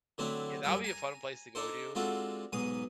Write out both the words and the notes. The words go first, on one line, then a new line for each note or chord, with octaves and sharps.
Yeah, that'll be a fun place to go to,
D3 F#3 A3 C4 D4 E4
F#2 G3 G#4 E5
G#5 A#5
D4 D#4 A4 C5
G#3 C4 D4 F4 F#4 A4
B1 G#2 D#6